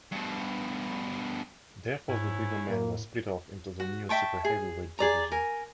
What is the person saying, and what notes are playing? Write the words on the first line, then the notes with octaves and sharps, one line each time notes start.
Therefore, the bigger men were split off into the new super heavyweight division.
G2 B2
E2 G#2 C#4 E4
A2 A#3
F#4
E5 G5 A5 C#6
G#4
G#4 D5 A#5
A#4 G#5